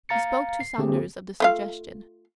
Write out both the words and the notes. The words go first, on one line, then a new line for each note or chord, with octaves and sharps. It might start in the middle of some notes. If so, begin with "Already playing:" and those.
He spoke to Saunders of the suggestion.
F5 A#5 A6 C#7
C7
D3 A#3 C4 G4 G#4
A3 F4 F5